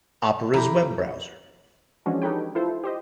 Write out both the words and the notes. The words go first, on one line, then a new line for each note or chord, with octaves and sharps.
Opera's web browser.
F2 E4 G4 A#5 B5
E3 F3 G#3 C#4 D4 F#4
D#4 G4 A4 B4 C#5 G5
E4 F4 A4 C5
G4 C5 D#5